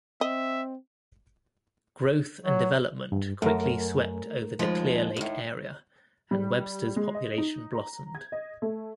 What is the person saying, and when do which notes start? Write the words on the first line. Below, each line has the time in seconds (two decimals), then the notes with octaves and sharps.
Growth and development quickly swept over the Clear Lake Area, and Webster's population blossomed.
0.21 C4 D#5 E5
2.45 F#3
3.12 G2
3.42 F#2 A3 A#4
4.59 D#2 F3 G#3
5.16 D#2 A2
6.31 G3
6.96 G#3
7.15 D#5
7.38 D#4
7.74 A#5
8.15 G#6
8.32 D#5
8.62 A3